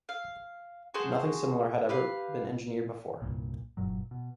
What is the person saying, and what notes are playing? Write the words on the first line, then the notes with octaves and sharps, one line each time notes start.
Nothing similar had ever been engineered before.
F5
F#4 G#4 C5 A5
G4 B4 F5
C2 G2 A#2
F#1 G2 A#2 F#3
B2